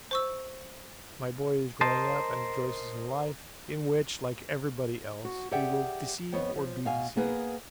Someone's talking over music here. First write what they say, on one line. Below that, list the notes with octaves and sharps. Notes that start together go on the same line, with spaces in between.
My boy is growing up and rejoices in life, in which like everybody else he will deceive or be deceived.
C5 C#6 E6
A#4 C5 D#5 A5
F#4
G4 G#4 D5 E5 F#5 G5
F2 B3 C#5 D#5
F3
B2 F5 G#5
A#3 B3 G#4 B4